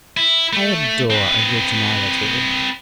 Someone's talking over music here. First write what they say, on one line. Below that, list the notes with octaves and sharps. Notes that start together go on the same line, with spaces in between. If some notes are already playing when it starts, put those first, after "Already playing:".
I adore originality.
E4
A3
C4 B4